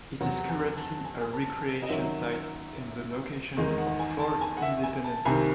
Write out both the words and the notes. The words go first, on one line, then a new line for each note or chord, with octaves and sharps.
It is currently a recreation site and the location of Fort Independence.
E2 C3 F#3 F#5
F#5
G#5
A5
G#5
G#5
A5
A5
G#5
D#5
F#2 D#3 F#3 C#4 E5
E2 D#3 G#3 D#4
F#5
G#5
A5
G#5
F#5
E5
G#5
A5
C2 C3 D#3 G#5